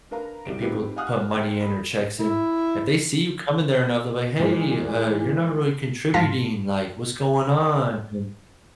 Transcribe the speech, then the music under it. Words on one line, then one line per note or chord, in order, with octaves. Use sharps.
and people put money in or checks in. If they see you coming there enough, they'll be like, "Hey, uh, you're not really contributing, like, what's going on an"
D4 A#4 B4 F5 A#5
C2 G4 D7
C4 D#4 F4 G4 G#4 B4
F5 F#5 G#5 D#6 F6 F#6
D#3 A4 G5
A4 B5
E4
A#2 E3 G#3
G#2 F4 F5 A5 A#6 B6